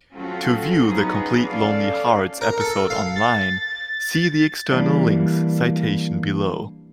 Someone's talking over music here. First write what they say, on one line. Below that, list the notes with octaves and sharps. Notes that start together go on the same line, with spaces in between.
To view the complete "Lonely Hearts" episode online, see the External links citation below.
F#3 C4 C#4 F4 F#4 A4
F3 F#3 B3 C#4 D#4 G#4
C#4 A4 D5 F5
A#4
A4
F5
A6
E3 G3 A#3 D4